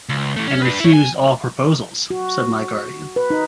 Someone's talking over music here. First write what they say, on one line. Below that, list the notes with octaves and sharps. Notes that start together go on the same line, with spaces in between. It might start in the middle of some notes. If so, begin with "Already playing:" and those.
"And refused all proposals," said my guardian.
C#2
E3 A3
C#4
D4 B4
E4 C#5
G#5
F#4
B4
D#4